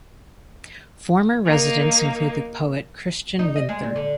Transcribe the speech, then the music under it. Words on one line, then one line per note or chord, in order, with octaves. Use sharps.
Former residents include the poet Christian Winther.
A#3 D#4
D#4
D#5
G#3
A#2
D3